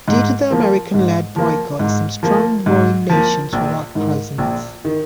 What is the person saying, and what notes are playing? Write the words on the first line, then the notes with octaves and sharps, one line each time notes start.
Due to the American-led boycott some strong rowing nations were not present.
G#2
F3 A#3
G#2
F3 A#3
G#2
F3 A#3
G#2
F3 A#3
A#1
G#2 D#3
A#1
D#3